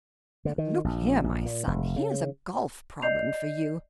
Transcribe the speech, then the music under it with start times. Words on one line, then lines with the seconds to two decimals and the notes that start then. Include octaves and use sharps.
But look here, my son, here's a golf problem for you.
0.45 D3
0.58 D#3
0.84 A#1
1.24 A#1
1.46 A#2
1.67 F1
1.96 C#3
3.02 D5 D#5 G6 C7 F7